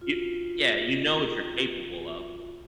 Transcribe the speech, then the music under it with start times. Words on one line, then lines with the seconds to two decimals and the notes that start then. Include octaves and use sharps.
You yeah, you know what you're capable of.
0.01 F4 F#4